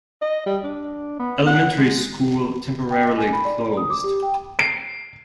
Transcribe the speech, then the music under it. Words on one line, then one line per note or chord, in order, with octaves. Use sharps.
Elementary school temporarily closed.
D#5
G3
D4
B3
F#5
G#3
G5
D#5
G#5
B5
D5
D5
D#6
D6
G4
G5
C7 D7